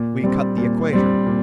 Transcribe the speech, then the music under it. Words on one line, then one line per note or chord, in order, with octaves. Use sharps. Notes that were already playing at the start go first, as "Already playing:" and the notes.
We cut the Equator.
Already playing: A#2
G3 C4
A#2
G3 C4
A#2